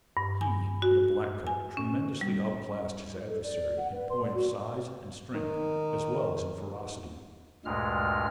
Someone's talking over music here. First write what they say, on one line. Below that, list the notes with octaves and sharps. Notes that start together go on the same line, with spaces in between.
He of the black coat tremendously outclassed his adversary in point of size and strength as well as in ferocity.
G2
G#5
F#4
G#5
C#4
G3
A4
D5
F#5
B4
C6
D5
F#4
D#3
D2 G2 A#2 G#3 F6